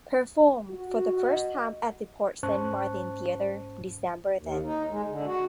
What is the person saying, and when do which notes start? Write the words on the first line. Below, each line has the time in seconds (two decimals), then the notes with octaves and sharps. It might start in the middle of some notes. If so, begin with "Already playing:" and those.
Performed for the first time at the Porte-Saint-Martin theatre, December then.
0.69 F#4
1.13 F#4 D#5
2.43 G#2 C#4 C5 A5 C#6 F#6
4.37 D#2
4.64 D#4
4.90 G#3
5.09 D3
5.26 F#4